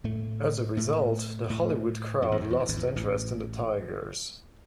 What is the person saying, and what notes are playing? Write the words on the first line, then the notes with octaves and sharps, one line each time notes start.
As a result, the Hollywood crowd lost interest in the Tigers.
A2 A3
A2 A3
A2 A3
F#2 F#3
E2 E3
F#2
E2
F#2
G#1 G#2
E2
F#2
A1 A2